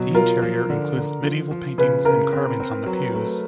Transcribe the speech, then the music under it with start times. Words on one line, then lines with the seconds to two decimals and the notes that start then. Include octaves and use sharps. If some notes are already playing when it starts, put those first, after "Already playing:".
The interior includes medieval paintings and carvings on the pews.
Already playing: B2 F#3
0.15 F4 A#4
0.42 F3
0.70 D3
0.97 D3
1.24 F3
1.51 F3
1.78 C#3 B4
2.05 C#3 A#4
2.33 C4
2.60 C4
2.86 F#3
3.14 A3